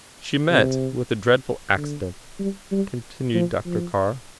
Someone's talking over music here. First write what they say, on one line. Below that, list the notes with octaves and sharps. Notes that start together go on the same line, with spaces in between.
"She met with a dreadful accident," continued Dr. Carr.
C3
D3
G3
G3
F3
F3